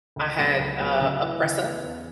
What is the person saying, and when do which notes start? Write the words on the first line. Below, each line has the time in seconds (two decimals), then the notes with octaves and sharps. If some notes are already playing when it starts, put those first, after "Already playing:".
I had, uh, a Presa,
0.16 C#2
0.37 C#3 F#3 B3
0.59 C#2
0.79 C#3 F#3 B3
1.01 C#3
1.21 E3 B3 E4
1.42 C#3
1.63 E3 B3 E4
1.84 E2